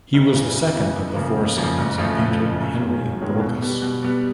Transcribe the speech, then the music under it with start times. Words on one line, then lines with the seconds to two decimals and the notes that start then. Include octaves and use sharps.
He was the second of the four sons of painter Henry Brocas.
0.14 F#1
0.34 E2 C#3 E3
0.55 F#1
0.76 E2 C#3 E3
0.96 F2
1.15 C#3 F3 A#3
1.37 F2
1.57 C#3 F3 A#3
1.78 F#1
1.98 F2 C#3 F3 A3
2.18 F#1
2.40 F2 C#3 F3 A3
2.59 F#2
2.80 D#3 G#3 C#4 F4
3.01 F#2
3.20 D#3 G#3 C#4 F4
3.41 B2
3.62 G3 B3
3.82 B2
4.02 G3 B3